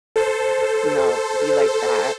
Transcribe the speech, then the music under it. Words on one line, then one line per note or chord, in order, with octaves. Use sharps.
you know, be like that,
A4 C5